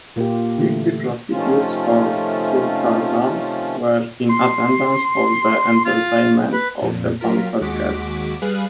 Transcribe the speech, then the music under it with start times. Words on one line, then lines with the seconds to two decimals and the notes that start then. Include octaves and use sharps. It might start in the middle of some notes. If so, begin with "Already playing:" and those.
Fifty prostitutes or courtesans were in attendance for the entertainment of the banquet guests.
0.16 A#2 A#3 F4 G4
0.58 D3 E3 A3
1.32 C3 D#3 F3 A3 C#4 F4
4.30 C6
5.85 F4
6.53 B4
6.82 F2 A#2
7.20 F#3 F4 A#4 B6
7.61 D#2 G#3 F#4 D6 B6
8.42 G3 G#4 B4 F5 F#6